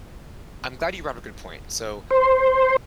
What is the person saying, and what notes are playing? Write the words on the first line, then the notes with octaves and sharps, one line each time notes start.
I'm glad you brought up a good point. So,
C5